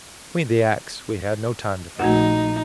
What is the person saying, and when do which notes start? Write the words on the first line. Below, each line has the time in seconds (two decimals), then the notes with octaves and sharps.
Between the acts we had no time to forget.
1.99 A#1 A3 D#4 F#4 F#5